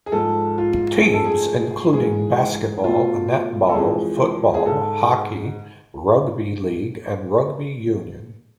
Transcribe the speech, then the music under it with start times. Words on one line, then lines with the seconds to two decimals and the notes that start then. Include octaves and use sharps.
Teams include: Basketball, Netball, Football, Hockey, Rugby League and Rugby Union.
0.06 G#4
0.12 G#2 F3 G#3 A4
0.58 F4
1.03 G#2 F3 A3 G#4
1.14 A4
1.26 G#4
1.93 G#2 E3 G#3 G#4
2.84 B2 A3 F4
3.69 A4
3.74 F2 E3 G#3 G#4
4.54 G#4
4.66 G#2 G#3 A4